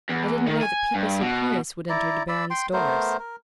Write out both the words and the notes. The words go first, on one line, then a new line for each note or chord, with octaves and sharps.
"I didn't know that people so pious would enter De Baron's doors."
E2
D#3
G#5
G2
B2
E4 D5 A#5
D5 B5 E6
G5 C6
A3 B3 A#4 C5
A#4